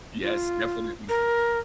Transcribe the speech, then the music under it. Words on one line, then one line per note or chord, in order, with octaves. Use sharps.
Yes, definitely.
F4
A#4